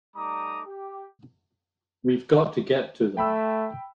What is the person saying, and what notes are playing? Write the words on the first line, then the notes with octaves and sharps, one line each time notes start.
We've got to get to them!
G3 A3 D#4 A#5 D6 D#6
G4
A3 G5 B5 E6